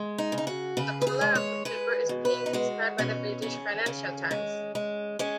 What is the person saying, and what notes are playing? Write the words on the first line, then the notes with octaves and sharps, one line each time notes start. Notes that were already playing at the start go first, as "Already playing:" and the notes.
The color of the paper is pink, inspired by the British "Financial Times".
Already playing: G#3
D#4
C#3
D#4
F#4
C#3 B4
B4
G#4
G#3
C#5
G#3 B4
B2
B4
D#4
G#3 F#4
B2 C#4
C#3 C#4
C#3
G#3
G#3
G#3 C#4